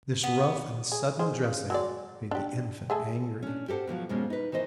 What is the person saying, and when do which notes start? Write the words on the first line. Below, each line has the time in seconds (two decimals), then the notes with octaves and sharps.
This rough and sudden dressing made the infant angry.
0.23 B3
0.92 G#4
1.19 D#3 G#4 C5
1.44 C#3
1.70 F#3 G#3 D5
2.31 D4 G4
2.90 A3 G#4 A4
3.42 C#4 D4
3.68 G4 A4 A#4 C5 F#5
3.87 B2 D3 F3 F#3
4.09 F2 B2 G#3 A#3 C#4
4.30 D#4 B4
4.52 D#3 E3 C5 D#5